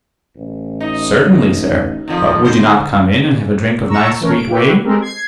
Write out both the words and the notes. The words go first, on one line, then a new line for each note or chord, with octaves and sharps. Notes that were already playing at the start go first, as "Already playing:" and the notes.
"Certainly, sir; but would you not come in, and have a drink of nice sweet whey?"
A1
D#4
F2 D3 D#3 F3
D3 D#3 C5
A5 A#5 C#6 E6
E3 A3 C#4 A#4 C#5
D7
E4 F#4 G4 B4
G#3 C4 G4 A4 A#4
G#6 C7